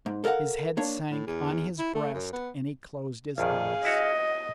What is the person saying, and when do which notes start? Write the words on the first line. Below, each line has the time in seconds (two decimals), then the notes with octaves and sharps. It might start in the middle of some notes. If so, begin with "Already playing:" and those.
His head sank on his breast and he closed his eyes.
0.06 G#2
0.24 A4 A#4 D5 F5 F#5
0.77 A#3 D4 C#5
1.11 A2
1.26 E2
1.79 E4
1.95 A3
2.14 F#2
2.33 B3
3.38 A#1 F2 D#3 G#4 F5
3.85 E4 F#4 C#5 D#5